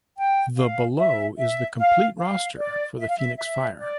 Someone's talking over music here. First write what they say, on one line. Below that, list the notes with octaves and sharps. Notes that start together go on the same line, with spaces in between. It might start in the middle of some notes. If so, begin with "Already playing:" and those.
The below is the complete roster for the Phoenix Fire.
G5
F5
E5
E5
F5
F5
D5
E5
F5
E5
E5
D5